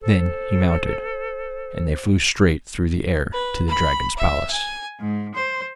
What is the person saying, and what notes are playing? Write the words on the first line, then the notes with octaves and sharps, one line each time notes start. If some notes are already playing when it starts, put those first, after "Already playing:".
Then he mounted, and they flew straight through the air to the dragon's palace.
A4 C5
B4
B5
E5
G#5
G#2
C5